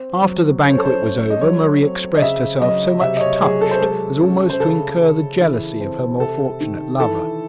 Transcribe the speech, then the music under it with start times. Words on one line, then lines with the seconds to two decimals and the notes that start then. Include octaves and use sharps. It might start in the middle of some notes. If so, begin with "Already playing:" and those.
After the banquet was over Marie expressed herself so much touched as almost to incur the jealousy of her more fortunate lover.
Already playing: C4
0.22 F#3
0.62 C#4 C#5
0.70 C5
0.78 A4
0.85 C5
1.02 A3
1.30 D#5
1.41 F#3 C#5
1.82 C4
2.15 D#5
2.22 C#3 E5
2.61 F#3 D#5
3.01 C3 E5
3.17 D#5
3.21 C#5
3.41 F#3 G#4
3.61 A4
3.71 C5
3.81 G#3 A4
4.21 C#4
4.50 C5
4.60 C#3 A4
5.01 C#3
5.41 E3
5.80 C4
6.20 C3 A4
6.61 D#3
7.00 E3 A4